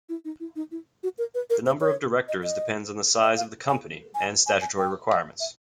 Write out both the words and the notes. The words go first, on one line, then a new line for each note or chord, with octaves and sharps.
The number of Directors depends on the size of the Company and statutory requirements.
E4
D#4
E4
D#4
E4
F#4
A#4
B4
A#4
C5
C#5
D#5
D#5
D#5
F5
G#5
G#5
G#5
G#5
G5
F#5
E5